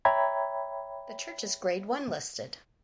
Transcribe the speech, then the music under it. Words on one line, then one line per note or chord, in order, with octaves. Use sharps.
The church is Grade One listed.
C#5 E5 G5 A#5 B5 G#6